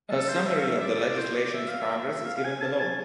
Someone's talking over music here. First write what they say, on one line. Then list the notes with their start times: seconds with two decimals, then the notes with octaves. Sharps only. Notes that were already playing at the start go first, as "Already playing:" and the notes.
A summary of the legislation's progress is given below.
0.10 A4
0.28 C5
0.45 E5
0.57 F5
0.64 E5
0.78 E5
0.81 D5
1.00 D5
1.18 C5
1.35 D5
1.54 E5
1.68 F5
1.81 E5
2.25 F5
2.36 F5
2.45 G#5
2.62 A5
2.80 G#5